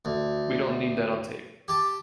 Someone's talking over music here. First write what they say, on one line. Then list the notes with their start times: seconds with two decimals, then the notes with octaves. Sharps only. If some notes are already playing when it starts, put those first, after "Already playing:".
We don't need that on tape!
0.05 D2
1.68 G4 A5